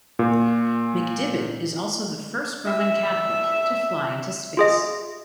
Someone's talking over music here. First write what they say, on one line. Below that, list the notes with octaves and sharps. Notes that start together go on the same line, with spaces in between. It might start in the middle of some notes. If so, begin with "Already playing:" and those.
McDivitt is also the first Roman Catholic to fly into space.
A#2
E5
F4 G#4 D#5